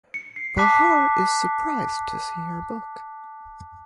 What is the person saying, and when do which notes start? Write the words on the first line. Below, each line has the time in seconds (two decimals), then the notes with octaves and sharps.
Bahar is surprised to see her book.
0.14 C#7
0.36 C7
0.58 A5 D6 F#6 B6